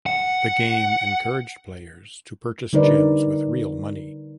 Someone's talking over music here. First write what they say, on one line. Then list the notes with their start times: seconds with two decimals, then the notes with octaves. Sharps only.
The game encouraged players to purchase gems with real money.
0.06 F#5
2.73 D3 G3 D#4 A#4 B4 D5